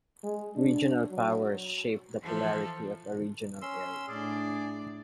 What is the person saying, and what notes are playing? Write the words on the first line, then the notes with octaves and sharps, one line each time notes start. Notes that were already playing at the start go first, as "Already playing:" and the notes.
Regional powers shape the polarity of a regional area.
G#3
D4
F#3
E3 F3 A4
C#4 C6 E6
A2 D4 G#4 D5